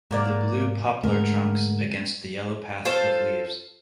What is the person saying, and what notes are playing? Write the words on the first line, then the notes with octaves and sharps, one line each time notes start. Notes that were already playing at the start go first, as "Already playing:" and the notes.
The blue poplar trunks against the yellow path of leaves.
G#2 F#3 A#3 D5
G#2 D3 G#3 A3 A#4
F4 A4 C5